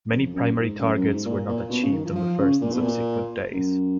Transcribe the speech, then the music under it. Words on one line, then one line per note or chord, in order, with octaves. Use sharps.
Many primary targets were not achieved on the first and subsequent days.
F2
F#2
G#2
F#2
F#2
G#2
A#2
A#2
B2
C#3
D#3
F3
F3
C#3
A#2
B2
A#2
F#2